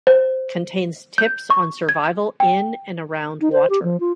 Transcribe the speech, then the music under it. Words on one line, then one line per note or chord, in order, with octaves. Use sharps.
Contains tips on survival in and around water.
C5
G6
C#6
G#6
G5
D#4
C5
G4
F3
F4